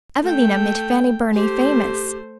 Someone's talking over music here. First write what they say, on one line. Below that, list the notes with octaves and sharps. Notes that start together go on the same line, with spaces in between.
"Evelina" made Fanny Burney famous.
A3 G5
A3 G4 C5